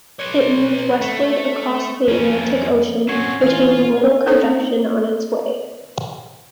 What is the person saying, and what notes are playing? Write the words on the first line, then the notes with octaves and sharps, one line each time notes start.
It moved westward across the Atlantic Ocean, retaining little convection on its way.
B4 C#5
A3
F2 C#4
F#3 C4 C#4 C#6 G#6 C7
A#2 E3 F4 F5
C4 C#4 D#4 A4 C5 C#5